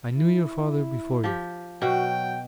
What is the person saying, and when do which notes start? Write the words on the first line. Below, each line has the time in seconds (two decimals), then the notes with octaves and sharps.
I knew your father before you.
0.18 E4
1.24 F3 G4
1.82 B2 F#3 F#4 G5